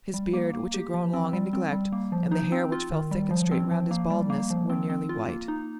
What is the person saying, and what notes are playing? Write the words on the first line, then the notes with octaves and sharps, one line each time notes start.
His beard, which had grown long in neglect, and the hair which fell thick and straight round his baldness, were nearly white.
G3
A#3
A#3
G4
F3
C4
G3
C4
G3
A#3
F3
D#4
C4
F4
D#3
G3
F3
C4
F3
A#3
G3
A#3
F3
C4
C4
F4
A#3
D#4